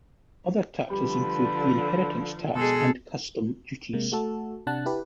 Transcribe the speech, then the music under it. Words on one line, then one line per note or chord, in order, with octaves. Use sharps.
Other taxes include the inheritance tax and custom duties.
D3 F3 G3 B4
B2 G#3 G#4 A4
C3 G#3 A#3
A3 F#4 A4
C3 D4 F#5 A5 F#6
E4 G4 B4